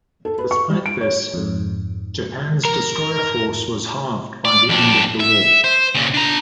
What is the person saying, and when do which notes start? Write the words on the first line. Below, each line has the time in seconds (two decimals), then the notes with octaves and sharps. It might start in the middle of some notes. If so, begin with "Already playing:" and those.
Despite this, Japan's destroyer force was halved by the end of the war.
0.25 A4
0.38 B4
0.51 C#6
0.70 G3
0.86 D7
1.01 C#5
1.34 F2 G#2
2.65 A#4
4.45 D5
4.69 F2 D4
5.20 E5
5.64 C5
5.95 A#2 C#3
6.14 D4 A#5